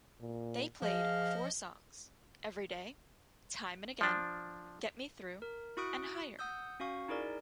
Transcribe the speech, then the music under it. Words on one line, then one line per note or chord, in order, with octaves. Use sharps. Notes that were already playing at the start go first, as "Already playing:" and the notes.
They played four songs: "Everyday", "Time and Again", "Get Me Through", and "Higher".
A#2
F3 G#4 D#5 F5
F3 D4
A#4
E4 F#4 C#6 D#6 F#6 D7
F#5 D#6 E6 G6
C#4 F#4 F5 C#6
D#4 E4 G#4 A#4 D5